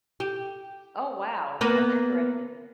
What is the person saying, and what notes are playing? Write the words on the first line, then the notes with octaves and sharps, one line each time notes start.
Oh, wow, that's interesting.
G4
A#3 B3 B4